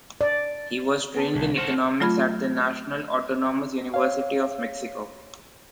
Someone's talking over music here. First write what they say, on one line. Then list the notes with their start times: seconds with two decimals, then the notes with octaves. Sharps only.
He was trained in Economics at the National Autonomous University of Mexico.
0.21 D5
1.15 B3 G#4 A5
1.35 C2
1.57 F#4 A4 C5 F6
2.00 F#3 A3 F4 B5 G#6
3.94 C#5 F5